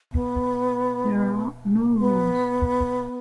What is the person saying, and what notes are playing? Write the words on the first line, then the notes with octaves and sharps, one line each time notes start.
There are no rules.
B3
B3